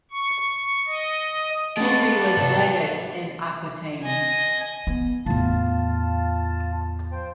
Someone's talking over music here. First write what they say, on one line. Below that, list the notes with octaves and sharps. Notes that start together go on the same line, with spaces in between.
Henry was legate in Aquitaine.
C#6
D#5
G#3 A3 B3 C#4 D#4 F#4 G4 A5
G#2 C3
D#5 G#5
B3
E2 A2 F4 A5
F3 C5 G5